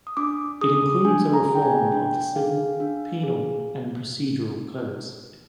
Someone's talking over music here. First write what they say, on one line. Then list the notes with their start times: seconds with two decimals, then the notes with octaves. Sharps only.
It includes a reform of the civil, penal, and procedural codes.
0.07 D#6
0.17 D4 D6
0.61 G#4 D#6
1.05 D4 G#5
1.33 A#5
1.49 G#4
1.55 G5
1.62 G#5
1.92 D4 G5
2.36 G#4 F5
2.80 D4
3.24 G#4